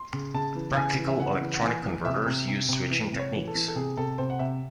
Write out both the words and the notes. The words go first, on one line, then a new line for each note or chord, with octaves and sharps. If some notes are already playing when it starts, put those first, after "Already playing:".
Practical electronic converters use switching techniques.
Already playing: C6
C#3
C#3 A5
E3
C#3 G#5
E3
E5
C#3 F#5
E3
F#5
E3 G#5
E3
C3 E5
C3
C3
C3
E3
C3
C#5
E3
A4
E3
A4
C3 G#4
C3 A4
C3 C5
F#5
C3 E5